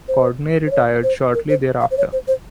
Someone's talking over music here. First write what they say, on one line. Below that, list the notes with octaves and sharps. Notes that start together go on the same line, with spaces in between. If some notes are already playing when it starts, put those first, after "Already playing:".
Condrey retired shortly thereafter.
C5
C5
C#5
C5
A#4
C5
F5
C5
C#5
C5
C5